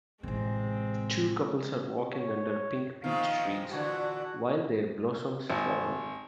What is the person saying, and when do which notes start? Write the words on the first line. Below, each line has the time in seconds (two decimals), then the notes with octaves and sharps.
Two couples are walking under pink peach trees, while their blossoms fall.
0.23 A1 C3 G#3 C4
2.12 C#5
3.04 D#3 F3 G#3 F5
3.72 A#2 D3 E3 F#4
5.50 G#1